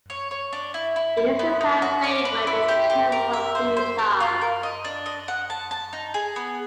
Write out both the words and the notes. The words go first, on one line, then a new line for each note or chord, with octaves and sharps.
It is a fan-favourite in terms of B-sides.
C#5
C#5
D4
E4
E4
E4
B3
D#4
F#4
D5
B4
E4
G4
G4
A#4
E5
C5
C5
A#4
F4
A#4
D#5
D4
D#5
F#5
A5
A5
D#4
G#4
B3